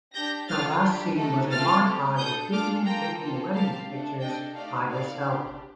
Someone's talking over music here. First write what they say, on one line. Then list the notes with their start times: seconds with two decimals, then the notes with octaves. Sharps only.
The last scene was a montage of Vivian taking wedding pictures by her self.
0.14 D4 G4 G6 A#6
0.48 C4 F4 A4 F6 A6
0.82 D4 G4
1.16 A3 D#4 A4
1.50 A3 C4 F4 A4 F6 A6
1.84 C4 G4
2.17 D4 A4 D#6 G6
2.52 D4 F4 A4 D6 F6
2.85 A#3 F4 A4 G5 A#5
3.19 A#3 D4 F4 A4
3.53 C4 G4 F5 A5
3.88 A3 D4 A4
4.21 D4 A4 D#5 G5
4.55 A3 D#4 G4 D5 F5
4.89 C4 D#4 A4 D5 F5
5.23 D4 G4